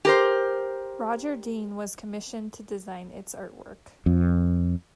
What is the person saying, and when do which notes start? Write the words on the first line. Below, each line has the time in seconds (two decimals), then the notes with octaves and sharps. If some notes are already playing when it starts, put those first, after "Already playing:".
Roger Dean was commissioned to design its artwork.
0.05 G4 A#4 C5
4.06 F2